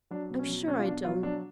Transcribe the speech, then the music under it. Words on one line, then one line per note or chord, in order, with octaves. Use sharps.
'I'm sure I don't!
F#3 D4
B2
C#4
F#3
B2 C#4
F4
B2 D4
F#3 F4
F#3 D4